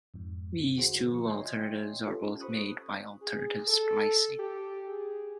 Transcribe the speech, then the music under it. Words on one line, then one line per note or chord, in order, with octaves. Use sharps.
These two alternatives are both made by alternative splicing.
F2 G#2
D3 F#4 G#4 C5
F3 C#6
C#5 D#5 E5 G5 G#5 C6
C#4 F4 G4 A4 B4
C5 B5 C#6 D#6 F#6
G#4
A4
G4
G#4